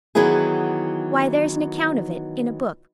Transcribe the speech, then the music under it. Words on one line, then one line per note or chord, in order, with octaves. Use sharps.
"Why, there is an account of it in a book."
D#3 E3 F#3 B3 E4 G#4